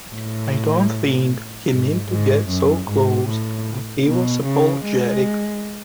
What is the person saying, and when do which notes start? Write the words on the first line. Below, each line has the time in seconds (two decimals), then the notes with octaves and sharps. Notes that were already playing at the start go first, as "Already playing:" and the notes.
I don't think he meant to get so close and he was apologetic.
0.14 A2
1.71 G#2
2.09 G#2
2.49 F#2
2.89 G#2
3.28 A2
4.07 B2
4.45 C#3
4.85 G#3